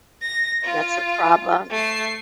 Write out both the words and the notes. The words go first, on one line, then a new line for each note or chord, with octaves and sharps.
That's a problem.
A#6
F4
A3 C7